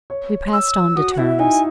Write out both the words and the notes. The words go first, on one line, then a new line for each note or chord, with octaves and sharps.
We passed on to terms.
C#5
E6
F#4 D#6
F#5
E4 E5
D#4 G#5